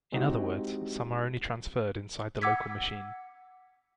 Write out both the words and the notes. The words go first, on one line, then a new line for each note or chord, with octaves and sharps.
In other words, some are only transferred inside the local machine.
G#3 C4 D#4 E4 F#4 G4
F#5 D6 E6 G#6 B6